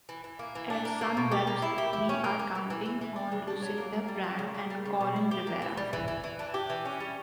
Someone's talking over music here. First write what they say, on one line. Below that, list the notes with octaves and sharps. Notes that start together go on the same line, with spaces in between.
At Sunweb’s, we are counting on Lucinda Brand and Coryn Rivera.
E3
E3
A#3
E3
D4
A#3
A#3
B2
G4
A#3
E4
G4
E4
C#4
A#3
A#3
E3
E3
E3
E3
D4
C#3
D4
F#3
A#3
A#3
G3
A#3
C#3
A#3
G3
C#3
B2
E4
G4
A#3
E3
G3
E3
E3
E3
D4
G4
E3
C#4
G3